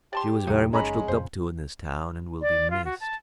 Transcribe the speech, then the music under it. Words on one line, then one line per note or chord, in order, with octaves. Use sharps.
"She was very much looked up to in this town, and will be missed."
G4 D5 A5 C6
D#2 C3 F#3 D#4
F#1 G#3 C#4 A#5 B5
F2 A#2 C#3 C5
D5
F4
F#4
A5